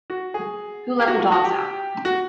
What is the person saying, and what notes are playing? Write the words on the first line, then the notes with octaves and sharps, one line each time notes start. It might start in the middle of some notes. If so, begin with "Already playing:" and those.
Who Let the Dogs Out?
F#4
G#4
G4
F#4
F4
F#4
G4
F#4